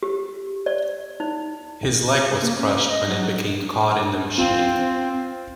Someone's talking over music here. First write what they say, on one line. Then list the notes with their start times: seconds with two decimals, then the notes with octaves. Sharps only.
His leg was crushed when it became caught in the machine.
0.03 G4
0.66 D5
1.20 D#4
2.42 A#3
2.58 C#4
2.88 D#5
3.07 F#3
4.38 C4 F4